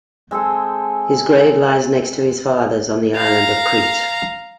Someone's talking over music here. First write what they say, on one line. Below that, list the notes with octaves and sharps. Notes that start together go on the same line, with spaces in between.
His grave lies next to his father's on the island of Crete.
G#3 C4 G#4 A4
F5 A#5